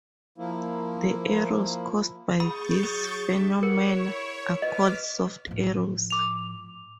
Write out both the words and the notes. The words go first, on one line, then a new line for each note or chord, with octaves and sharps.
The errors caused by these phenomena are called soft errors.
F3 A#3 E4
G#4 B5 C#6 D#6 G6 A6
F#3 D#6
D4 E5
A#4 C#5 F#5
E4
B4 D#5 D6 F6 B6
A2 F3
D6 F7